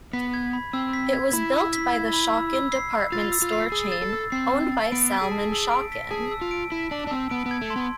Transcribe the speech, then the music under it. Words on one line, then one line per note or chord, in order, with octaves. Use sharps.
It was built by the Schocken department store chain owned by Salman Schocken.
B3 B6
G#6
B5
C4 E6
B6
G#6
E4 B5
E6
B6
G#6
B5
E6
E6
C7
E6
F4 A6
E6
F4
C7
G#4 E6
A6
A4
E6
C4 C7
E6
A6
B3 D7
B6
G#4
A5
E6
D7
B6
G#4 A5
E6
F4
D7
E4 B6
D4 A5
D4
C4 E6
B3 D7
B3
G#6
A3
C6
B3